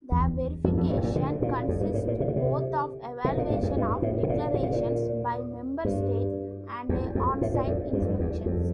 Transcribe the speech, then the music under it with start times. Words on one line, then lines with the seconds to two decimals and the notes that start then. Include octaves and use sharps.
The verification consists both of evaluation of declarations by member states and on-site inspections.
0.12 E2
0.64 F2
0.77 F2
0.90 G2
0.97 A2
1.03 A#2
1.16 D3
1.42 A#2
1.69 F2
1.81 G2
1.94 A2
2.07 A#2
2.20 C3
2.28 D3
2.36 C3
3.24 C3
3.37 A#2
3.50 G2
3.63 F2
3.76 G2
4.02 A2
4.23 C3
4.29 A#2
4.54 A#2
4.63 C3
4.72 A#2
5.85 G2
6.89 E2
7.15 F2
7.41 A2
7.54 A#2
7.67 F2
7.93 G2
8.02 F2
8.09 G2
8.20 E2
8.46 F2